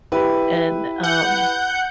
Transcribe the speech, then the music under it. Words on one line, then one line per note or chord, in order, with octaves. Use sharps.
And, um,
E4 G4 B4
F#5 G6